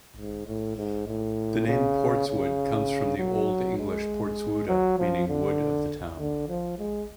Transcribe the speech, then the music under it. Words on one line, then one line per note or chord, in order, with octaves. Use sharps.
The name "Portswood" comes from the Old English "Porteswuda", meaning "wood of the town".
G#2
A2
G#2
A2
C#3
C#3
F#3
G#3
F#3
F3
D3
D3
F3
G#3